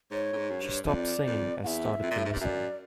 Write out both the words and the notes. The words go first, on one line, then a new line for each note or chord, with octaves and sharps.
She stopped singing and started to listen.
G#2 C#5
A2
G#2
F#2
G2
F2 D5 E5
F2
E2 E5 F#5
F2
A#2
A2
G#2
G2
F#2 D5 E5